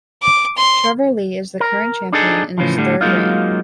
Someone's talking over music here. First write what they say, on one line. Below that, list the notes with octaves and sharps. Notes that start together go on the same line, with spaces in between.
Trevor Lee is the current champion in his third reign.
D6
C6
A#4
D4 D#4 G#4 A4
A2 C#3 E3 F3
A2 D3 G3
F#3 G#3 A#3 D#4 F4